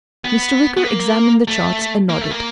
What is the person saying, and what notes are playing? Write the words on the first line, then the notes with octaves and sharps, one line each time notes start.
Mr. Wicker examined the charts and nodded.
B3
B3
A#3
A3
A#3
A3
A#3